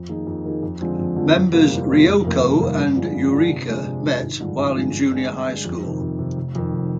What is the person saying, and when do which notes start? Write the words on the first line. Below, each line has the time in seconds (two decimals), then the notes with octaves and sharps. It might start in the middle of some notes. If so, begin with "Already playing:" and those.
Members Ryoko and Yurika met while in junior high school.
Already playing: F2
0.09 D#3 A#3 D#4 G#4
0.27 F2
0.45 D#3 A#3 D#4 G#4
0.63 F2
0.81 D3 F3 G#3 C4
0.99 F2
1.16 D3 F3 G#3 C4
1.35 F2
1.52 C3 G3 A#3 F4
1.70 F2
1.89 C3 G3 A#3 F4
2.06 F1
2.24 F2 D#3 G3 A#3
2.42 F1
2.60 F2 D#3 G3 A#3
2.78 G2
2.96 D3 F3 G#3
3.14 G2
3.33 D3 F3 G#3
3.50 C3
3.68 F3 G#3 D4
3.86 C3
4.04 F3 G#3 D4
4.21 G#1
4.39 G2 D3 F3 G#3
4.57 G#1
4.75 G2 D3 F3 G#3
4.93 G2
5.11 D3 G#3
5.30 G2
5.47 D3 G#3
5.65 F2
5.83 C3 D#3
6.00 F2
6.19 C3 D#3
6.37 F1
6.55 F2 D#3
6.72 F1